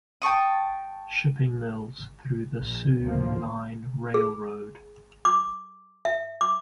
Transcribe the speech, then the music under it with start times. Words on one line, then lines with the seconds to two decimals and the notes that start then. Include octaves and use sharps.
Shipping Mills through the Soo Line Railroad.
0.22 G5 A5 C#6 D#6
2.57 A#1
3.04 D2 A2 C3 D#3 F3 A#3
4.14 G#4
5.25 D6
6.05 E5
6.41 D6